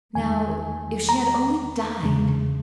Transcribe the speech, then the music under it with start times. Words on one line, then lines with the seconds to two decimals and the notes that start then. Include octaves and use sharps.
Now--if she had only died!
0.15 E2 D#3 G#3 G#5
1.09 A#5
2.03 E2 C#3 G#3